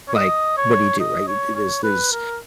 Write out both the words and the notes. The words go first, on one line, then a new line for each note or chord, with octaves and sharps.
like, what do you do, right? Th there's there's
C#5
D#5
C#5
D#5
C#5
C#5
B4
A#4